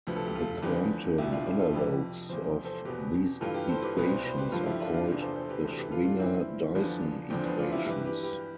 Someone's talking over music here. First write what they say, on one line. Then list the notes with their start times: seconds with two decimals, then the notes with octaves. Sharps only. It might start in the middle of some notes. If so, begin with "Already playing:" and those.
The quantum analogues of these equations are called the Schwinger-Dyson equations.
0.07 D2 C3 F3 B4
0.16 A4
0.27 G4
0.35 F4 A4
0.62 E2 D3 F3 G4 B4
1.18 C2 B2 E4 G4
1.32 D4 F4
1.46 E4 G4
1.59 F4 A4
1.73 F2 C3 F3 G4 B4
2.29 E2 C3 F3 C5
2.47 C5
2.65 A4 C5
2.85 E2 B2 G4 B4
3.41 G2 E3 F4 A4
3.54 G4 B4
3.68 A4 C5
3.82 G4 B4
3.97 C2 B2 B4
4.07 C5
4.17 B4
4.27 C5
4.37 G4 B4
4.52 G2 D3 F3 F4 A4
4.66 E4 G4
4.80 D4 F4
4.94 D4 F4
5.08 E2 C3 E3 D4 F4
5.22 A4 C5
5.36 A4 C5
5.49 G4 B4
5.63 D2 C3 E3 A4 C5
5.77 G4 B4
5.91 F4 A4
6.05 D4 F4
6.19 G2 E3 C4 E4
6.75 E2 D3 F3 B3 D4
7.30 E2 D3 F3 C4
7.45 B3 D4
7.59 D4 F4
7.72 E4 G4
7.86 G2 E3 G4 B4
8.05 G4 B4
8.23 G4 B4